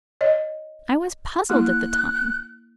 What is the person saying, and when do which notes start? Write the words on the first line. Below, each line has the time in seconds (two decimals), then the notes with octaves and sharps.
I was puzzled at the time.
0.21 C#5 D#5
1.50 A#3 E4 F#6